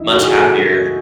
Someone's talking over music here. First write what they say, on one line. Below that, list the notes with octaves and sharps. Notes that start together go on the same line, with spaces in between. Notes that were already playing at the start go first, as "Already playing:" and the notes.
much happier.
Already playing: C#2 E3 D#4 E4
F#4
G#4
A4